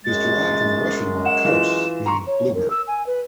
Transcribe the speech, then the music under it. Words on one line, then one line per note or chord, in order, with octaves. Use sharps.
It is derived from Russian word "kos" meaning bluebird.
F#2 G#3 A6
F#5 E7
E3 F4
A#5 C6 C#6
C#5
A#4
E6
G#5
B4